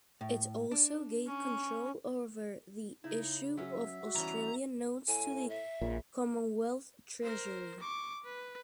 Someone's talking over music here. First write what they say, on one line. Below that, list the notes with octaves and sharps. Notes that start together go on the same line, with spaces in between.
It also gave control over the issue of Australian notes to the Commonwealth Treasury.
A2
D4
C#4
C#3 D#4 E4
F#3 C#4 E5
F#4
E3 G3 C#4 A#5
A2 G#5
E5
A#1 A#2 C#3
A#4 C5
C#6 D6
B4